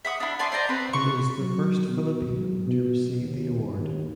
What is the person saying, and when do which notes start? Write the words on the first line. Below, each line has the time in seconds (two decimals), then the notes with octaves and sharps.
He is the first Filipino to receive the award.
0.05 E5 F#5 D#6
0.20 D4 E4
0.39 D5 G#5 A5 C6
0.52 C5 D5 A5 A#5
0.69 C4 B4
0.93 C#6
1.39 F#3
1.88 B2
2.30 F#3
2.67 B2
3.20 D#2
3.77 D#2